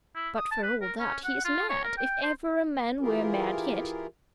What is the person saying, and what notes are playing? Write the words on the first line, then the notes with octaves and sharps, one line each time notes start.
But, for all that, he is mad, if ever a man were mad yet.
E4
D#6
A5
B4
A#4
C#4
F#5
F4
C#5
A#4
G5
C5
E3 E4 F4 G4 G#4 A#4